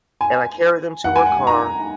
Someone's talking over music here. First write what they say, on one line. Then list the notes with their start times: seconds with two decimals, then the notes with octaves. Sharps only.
and I carried them to her car
0.21 G#5
1.04 F#5
1.16 G#5
1.26 F#5
1.47 A#5